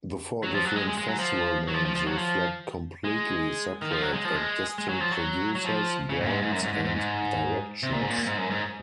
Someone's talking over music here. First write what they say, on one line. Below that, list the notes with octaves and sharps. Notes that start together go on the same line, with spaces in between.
The four different festival names reflect completely separate and distinct producers, brands and directions.
F#3
F3
F#3
G#3
G#3
G#3
F#3
F3
F#3
F3
F3
F3
F#3
F3
G#3
D#3
F3
F#3
G#3
F3
G#3
G#3
F#3
F3
F#3
F#3
F3
C#3
G#2
A#2
G#2
G#2
F#2
G#2
G#2
G#2
G#2
C3
A#2
G#2
A#2
G#2
F#2
G#2